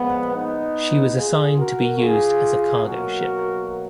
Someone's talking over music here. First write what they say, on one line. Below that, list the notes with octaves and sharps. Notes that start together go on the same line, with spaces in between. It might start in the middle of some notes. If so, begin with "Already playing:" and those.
She was assigned to be used as a cargo ship.
Already playing: A#2 F3 G#3 B3
B3 D#4
F4 G#4
F#4 A#4
F4 G#4
B2 F#3 A#3 F#4 A#4